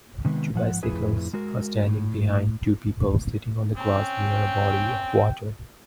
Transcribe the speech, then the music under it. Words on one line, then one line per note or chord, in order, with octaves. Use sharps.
Two bicycles are standing behind two people sitting on the grass near a body of water.
C3 D#3 G#3 B3
G#2 F3 F#5
F2 A2 E4 G#4 B4
G#3 F#4 A#4
A2
C4 C#4 G5